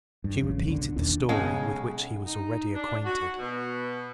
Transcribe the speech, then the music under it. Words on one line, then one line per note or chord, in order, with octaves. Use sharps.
She repeated the story with which he was already acquainted.
G2
A1 F2 C#3
B1 D3
E1 D#2 A#2 D4
B1 C#3 G#3
D#4
D4
F#4
B2